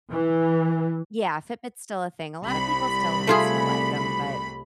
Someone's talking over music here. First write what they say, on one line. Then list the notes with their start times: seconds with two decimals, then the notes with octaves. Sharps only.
Yeah, Fitbit's still a thing, a lotta people still still like 'em, but
0.11 E3
2.44 C2 B5
3.27 A3 F4 G#4